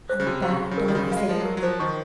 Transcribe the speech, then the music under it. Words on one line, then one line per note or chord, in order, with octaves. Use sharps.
I look bad, don't I, Sidney?'
C5
C#3
C3 F#4
C3 F5
C#3
F#4
C#3
A#4
D#3
C#3 F#4
G#3 F5
F3 F#4
F#3
A#4
F#3
F3 C5
D#3 C#6